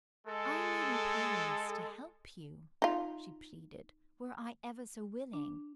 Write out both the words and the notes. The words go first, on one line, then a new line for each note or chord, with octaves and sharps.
"I may be powerless to help you," she pleaded, "were I ever so willing."
G#3 A4
D#4 F4
D4